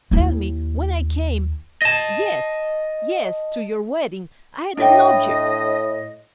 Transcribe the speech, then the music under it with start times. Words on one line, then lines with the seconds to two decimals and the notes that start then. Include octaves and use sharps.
Tell me, when I came ... yes ... yes, to your wedding, I had an object.
0.11 D#2 E4
1.82 D#5 A5
4.77 A2 D4 D#5 G5